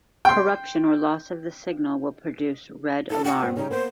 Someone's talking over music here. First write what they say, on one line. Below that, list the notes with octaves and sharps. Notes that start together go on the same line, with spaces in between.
Corruption or loss of the signal will produce "red alarm".
G5 C6
D#4 A4
G4 F#5
G2 B3 C4
C#3 G3 D#4
A#3 B3 C5